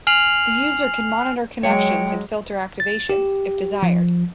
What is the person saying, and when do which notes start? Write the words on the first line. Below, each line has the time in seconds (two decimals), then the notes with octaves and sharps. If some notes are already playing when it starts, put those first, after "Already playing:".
The user can monitor connections and filter activations, if desired.
0.07 G#5 F6 C7 F7 F#7
1.63 F#3 G#3 C#5 G5
2.80 A6
3.10 G4
3.83 F3